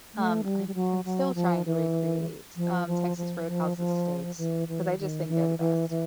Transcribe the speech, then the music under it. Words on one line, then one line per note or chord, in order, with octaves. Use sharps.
um, I'm I'm still trying to recreates, um, Texas Roadhouse's steaks 'cause I just think they're the best.
A3
G3
G3
F#3
F#3
F3
E3
F3
F3
F3
F3
F3
E3
E3
D#3
E3
E3
E3